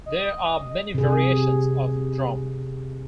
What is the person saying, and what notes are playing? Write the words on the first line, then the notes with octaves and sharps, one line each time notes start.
There are many variations of 'Drom'.
D#5
C3 G#4